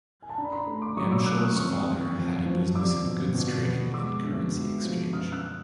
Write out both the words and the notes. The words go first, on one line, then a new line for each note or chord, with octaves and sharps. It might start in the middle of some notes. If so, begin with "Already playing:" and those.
Amschel's father had a business in goods-trading and currency exchange.
G#5
A5
D4 A#5
B5
A#5 C6
A3
C6 D6
F#3 C#6 D#6
D6 E6
A3 E6 F#6
E6
D#6 F6
F2 C#6 D#6
F2
F2
F3
G3 D6 E6
B2
B2
B3
G#3 D6 E6
D2
G#3
F3
F#2 D#6 F6
E6 F#6